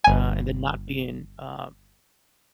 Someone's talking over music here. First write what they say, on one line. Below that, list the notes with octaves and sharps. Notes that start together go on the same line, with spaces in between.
uh, and then not being, uh
G1 G#5